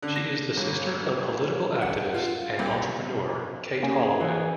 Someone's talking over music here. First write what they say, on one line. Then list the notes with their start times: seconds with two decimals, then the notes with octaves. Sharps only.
She is the sister of political activist and entrepreneur Kate Holloway.
0.03 D3
0.16 A#6
0.57 G1
1.81 F#5
2.14 F4
2.59 C2
3.83 A#3 C#4 G#4
4.21 E3